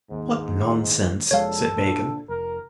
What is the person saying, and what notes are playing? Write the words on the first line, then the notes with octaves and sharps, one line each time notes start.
"What nonsense," said Bacon.
D#2 G#2
F1 F3 G#3 A4 C#5 F5
A#2 D4
F1 A#4